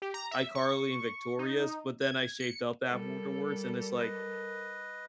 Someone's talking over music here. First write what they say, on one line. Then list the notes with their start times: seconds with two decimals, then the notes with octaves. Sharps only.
iCarly and Victorious, but then I shaped up afterwards, and it's like
0.02 G4
0.14 A#5
0.31 E5
0.55 C#6
1.39 D#4
2.01 G#6
2.40 C#7
2.89 G3 A4 A#4
3.99 B4 D#5